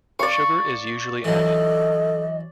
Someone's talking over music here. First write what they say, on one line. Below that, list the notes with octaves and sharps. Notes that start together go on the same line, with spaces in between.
Sugar is usually added.
D5 F5 C#6
E3 F#3 A4 D#5